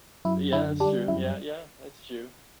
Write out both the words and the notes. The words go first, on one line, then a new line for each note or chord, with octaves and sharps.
Yeah, that's true, yeah, yeah, that's true.
F#2 E4
D3 E4
G3 D4
F#2 E4